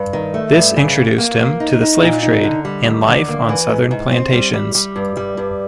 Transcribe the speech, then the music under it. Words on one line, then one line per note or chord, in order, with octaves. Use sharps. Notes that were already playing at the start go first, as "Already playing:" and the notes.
This introduced him to the slave trade and life on southern plantations.
Already playing: G2
D#3
A3
G2
C#3
F2
A#3
A#3
D#4
D#4
A#2
D#4
D3
G3
D#2
D3
A#3
E3
G#2
G#2
C4
G3
G3
G3
G2
G3
G2